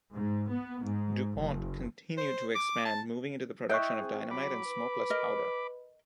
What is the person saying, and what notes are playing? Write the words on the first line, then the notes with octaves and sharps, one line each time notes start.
DuPont continued to expand, moving into the production of dynamite and smokeless powder.
G#2
B3
G#2
F#1
C5
D6
A5
E4 D#5 E5 G5 C#6 F#6 G6
C4 G#4
F#3 B5 D6
B4
A#4 D#5